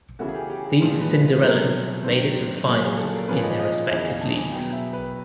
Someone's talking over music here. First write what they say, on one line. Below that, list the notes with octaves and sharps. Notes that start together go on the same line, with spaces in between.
These Cinderellas made it to the finals in their respective leagues.
C#3 E3 A3 C#4 F#4
G#4
G4
G4
G#4
A#2 F3 G#3
B4
B4
B2 F#3 A3 C4
G2 D#3 F#3 A3 C4 C5
A#2 F#3 A#3 C#4
G#4
A4
A#4
A#2 F3 A#3 C#4 B4
D#5
D#5
E2 C#3 E3 D#5
F5
A5
G#5
B2 F#3 B3 G5
E5
B4